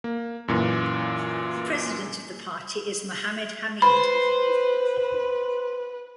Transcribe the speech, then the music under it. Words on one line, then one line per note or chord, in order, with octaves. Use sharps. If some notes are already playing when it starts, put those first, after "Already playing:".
The president of the party is Mohammed Hamid.
A#3
F#2 A#2 E3
B4 C5 B5